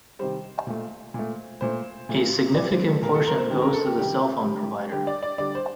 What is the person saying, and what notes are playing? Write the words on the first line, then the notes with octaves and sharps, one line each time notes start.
A significant portion goes to the cell phone provider.
C3 D#3 G3 C5
A#2 A3
A#2
A3
A#2 A3 C5
A#2 A3
A#2 G3 D5
C5
A4
A#2 G3 A#4
A4
A#4
C5
C3 D#3 G3
A#4
A4
G4
C3 D#3 G3 G4
D3 G3
D3 G3 G4
D5
D5
D3 G3 D5
C5